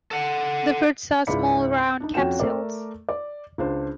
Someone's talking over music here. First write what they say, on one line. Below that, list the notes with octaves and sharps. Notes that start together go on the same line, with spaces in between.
The fruits are small round capsules.
A4 F#5
C#2 G#2 E4 D5 B5 C#7
D4 D#4
F2 C#4 F#4 G5 E7
A3 A#4 D5
D5
C#2 D4 C5